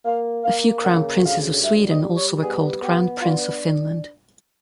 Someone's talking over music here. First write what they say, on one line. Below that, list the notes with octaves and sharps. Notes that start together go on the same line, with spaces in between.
A few crown princes of Sweden also were called "Grand Prince of Finland".
A#3 F5
A#3 F5
C#3 F#5
D2 F5
G3 E5
D#5
G3
C#5
B3 G#4
B3 G4
D4 F4